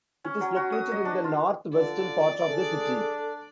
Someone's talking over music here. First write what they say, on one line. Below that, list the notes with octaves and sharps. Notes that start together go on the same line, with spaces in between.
It is located in the north-western part of the city.
C#4
F#3
F#4
D#6
D#5
D4
F4
D3 F4 D5
D4 G#4 A4